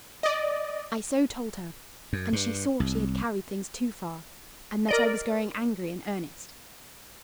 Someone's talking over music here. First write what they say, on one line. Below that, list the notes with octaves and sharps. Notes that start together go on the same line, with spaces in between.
I so told her, and she saw she had carried things too far, and that I was growing angry in earnest.
D5 D#5
F#2
G2
C2
A#4 D5 D#5